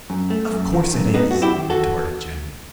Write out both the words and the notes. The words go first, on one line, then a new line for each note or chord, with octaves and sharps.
"Of course it is," retorted Jenny.
F#2
A3
F#2
D#3
F#2
A3 B3 D#4
F#2 F#4
E4 G4
D#3
F#4 A4